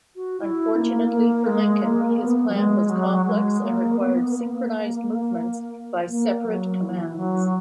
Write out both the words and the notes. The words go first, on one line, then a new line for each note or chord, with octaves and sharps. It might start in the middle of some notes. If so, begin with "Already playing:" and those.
Unfortunately for Lincoln, his plan was complex and required synchronized movements by separate commands.
F#4
E4
A#3
A#3
G#3
A#3
B3
F#3
G#3
F#3
G#3
A#3
B3
A#3
A#3
F#3
E3
F#3